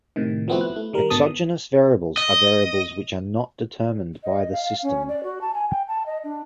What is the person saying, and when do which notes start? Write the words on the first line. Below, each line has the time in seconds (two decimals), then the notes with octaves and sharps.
Exogenous variables are variables which are not determined by the system.
0.16 A2 C3 D#3
0.48 F3 A3 B3 C4 E4 F#4
0.61 F#6
0.76 A3 E4
0.93 D#3 G3 A#4
1.10 G#1 B2 D3 A5 D#6
2.17 D#5
4.24 D#5
4.52 F5
4.83 C#4
5.08 D5
5.23 F#4
5.41 A5
5.54 G#5
5.70 G5
5.88 A5
6.06 D#5
6.24 D4